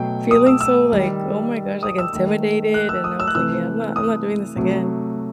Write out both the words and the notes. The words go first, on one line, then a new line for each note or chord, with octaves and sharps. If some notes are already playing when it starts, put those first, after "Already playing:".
feeling so, like, oh my gosh, like, intimidated, and I was like, "Yeah, I'm not I'm not doing this again."
Already playing: B2 F#3 A3 G5
D#6
E6
E6
D#3 G3
D#6
E6
D#3 A3
F#6
E6
D#6
E6
F#6
C3 E3 A3 E6
D#6
C3 F#3 A3